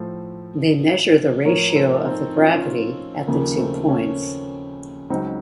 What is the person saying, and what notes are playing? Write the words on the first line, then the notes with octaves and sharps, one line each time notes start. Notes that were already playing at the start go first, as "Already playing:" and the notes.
They measure the ratio of the gravity at the two points.
Already playing: A2 F3 A4 C5
A2 F3 A#4 C#5
A#4
A4 C5
C4 D#4
C#4 F4
D#2 C#3 F3 A#3
A3 C4
A#3 C#4
C#2 C#3 F#3 C4 D#4